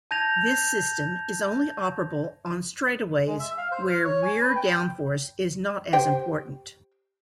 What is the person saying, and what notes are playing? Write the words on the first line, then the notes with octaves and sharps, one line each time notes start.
This system is only operable on straightaways where rear downforce is not as important.
A5 G6 G#6 A#6 F7
G#3
E5
F5
C5
F6
C#5
G#5
B4
G5
G4 C5 G5